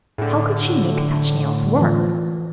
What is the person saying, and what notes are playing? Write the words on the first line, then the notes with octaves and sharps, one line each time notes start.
How could she make such nails work?
A2 D3 G#4
E3 F3